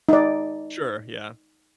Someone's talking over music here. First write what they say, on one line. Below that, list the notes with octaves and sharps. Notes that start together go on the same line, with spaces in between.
Sure, yeah.
D#4 D5